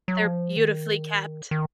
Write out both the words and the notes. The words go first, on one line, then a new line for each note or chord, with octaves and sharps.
They're beautifully kept.
F#3
F3
D#3
D#3